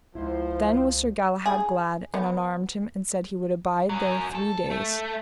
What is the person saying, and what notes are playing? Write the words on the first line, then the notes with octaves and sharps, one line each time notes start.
Then was Sir Galahad glad, and unarmed him, and said he would abide there three days.
C#2 F3 E4 C5
G#4
B3
F#2 F#3
A4
A3